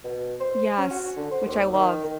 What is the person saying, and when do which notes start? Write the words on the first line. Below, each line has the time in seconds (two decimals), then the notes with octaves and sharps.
Yes, which I loved.
0.04 B2
0.40 C5
0.78 C#4
0.91 F#4
1.16 D3
1.31 C5
1.46 D#2
1.73 D#3
2.04 D#3